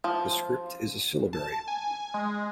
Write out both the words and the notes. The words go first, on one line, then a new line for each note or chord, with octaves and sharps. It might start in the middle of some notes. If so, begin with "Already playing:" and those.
The script is a syllabary.
F3
A5
G#5
G#3